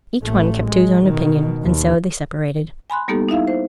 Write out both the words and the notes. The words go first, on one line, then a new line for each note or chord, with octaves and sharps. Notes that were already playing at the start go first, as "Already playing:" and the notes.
Each one kept to his own opinion, and so they separated.
A1 A3
G#3
B2 D#3
D#2
G#5 B5 C6 F#6
G3 A#3 B3 D#4 G4 A4
D#4 E4 E5 F5
C5